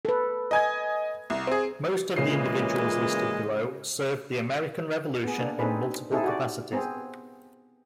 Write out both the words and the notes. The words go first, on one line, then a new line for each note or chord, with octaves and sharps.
Most of the individuals listed below served the American Revolution in multiple capacities.
A4 B4
D#5 G#5 G#6
C2
C4 G#4
A#2 C#3 E3 G#3 F4 C7
B3 G#4
A#3 D4
C4 D4 D#4 G#4 A4 B4
C4 D#4 E4 G#4 A4
F#4 G4 D5
B3 C4 G#4